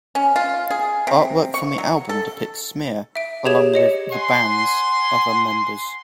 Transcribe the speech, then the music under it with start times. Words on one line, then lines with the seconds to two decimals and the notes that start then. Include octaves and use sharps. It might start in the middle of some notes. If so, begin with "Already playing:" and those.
Artwork from the album depicts Smear along with the band's other members.
0.15 C#4
0.36 F4
0.70 G#4
1.07 C3
1.54 C#6
1.78 F#3
2.09 A4
3.15 E5 D7
3.45 G4 G#4 C#5 G#6 E7
3.74 C#5 D#5 C#7
4.12 F#5 G#5 C6